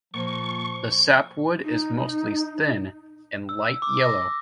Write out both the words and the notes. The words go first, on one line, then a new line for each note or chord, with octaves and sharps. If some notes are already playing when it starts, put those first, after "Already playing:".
The sapwood is mostly thin and light yellow.
A#2 F3 C#6
D#4
E6
D6
A#6